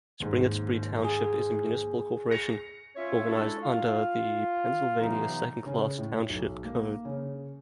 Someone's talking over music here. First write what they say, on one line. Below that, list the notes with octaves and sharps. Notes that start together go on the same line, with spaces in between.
Springettsbury Township is a municipal corporation organized under the Pennsylvania Second Class Township Code.
D#2 G#2
G#4
A#6 C#7 F7
C#4 F4 C#5 E5
G#3 D4 E4 F#4 A4
F4 F5
C3 E3 F#3 B3 D#4
C#3
A2
B1
A#3
C#3